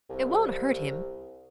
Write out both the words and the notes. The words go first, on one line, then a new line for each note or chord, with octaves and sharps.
"It won't hurt him."
C2